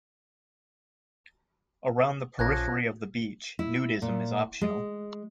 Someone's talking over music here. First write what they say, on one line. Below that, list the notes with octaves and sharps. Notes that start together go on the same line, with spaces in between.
Around the periphery of the beach, nudism is optional.
A#1 F3 C#4 D6 F#6 G#6 A#6
E4
A#2
G#3